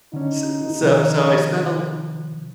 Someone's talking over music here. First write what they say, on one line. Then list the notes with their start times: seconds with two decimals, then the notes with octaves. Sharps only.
s so so I spent a li
0.13 D3 C#4 D#4
0.82 C3 D#3 F3